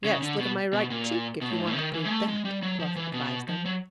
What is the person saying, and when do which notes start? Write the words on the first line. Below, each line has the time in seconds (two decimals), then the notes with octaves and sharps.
"Yes, look at my right cheek, if you want to prove that," Bluff advised them.
0.05 C#3
0.22 D3
0.39 B2
0.73 B2
0.90 A#2
1.41 B2
1.51 A2
1.60 G#2
1.67 A2
1.76 D#3
1.94 E3
2.05 G#3
2.11 A3
2.28 G#3
2.45 G3
2.63 F#3
2.79 F3
2.96 E3
3.14 B2
3.49 F3
3.65 F#3